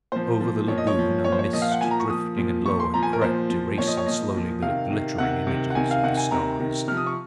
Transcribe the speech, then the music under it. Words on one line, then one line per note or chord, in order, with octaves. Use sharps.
Over the lagoon a mist drifting and low had crept, erasing slowly the glittering images of the stars.
A#2 F3 C5
A#2 F3
A#2 F3 C#5
D#5
C#5
A#2 F3
A#2 F3 C#5
C5
C#5
A#2 F3 D#5
F5
F#5
A#2 F3 G#5
A#5
C#6
A#2 F3 D#6
A#2 F3
A#2 F3 C#6
C6
A#2 F3 A#5
G#5
A#4
A#2 F3 C5
A#2 F3
A#2 F3 C#5
D#5
C#5
A#2 F3 D#5
A#2 F3
C3 D#3 F5
C3 D#3
C3 D#3 F#5
C3 D#3
F#5
C3 D#3 G#5
F5
C3 D#3 F#5
G#5
C3 D#3 A#5
C3 D#3
C3 F3 F6
D#6
C#6